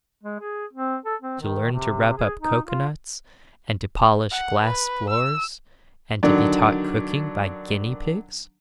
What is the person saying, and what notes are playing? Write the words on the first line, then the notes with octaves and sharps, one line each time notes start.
To learn to rub up cocoa nuts, and to polish glass floors, and to be taught cooking by guinea pigs!
G#3
G#4
C4
A4
C4
D#3
C3
G#4
D#4
F4
F#5
B4
E6
D3 D#3 F#3 D4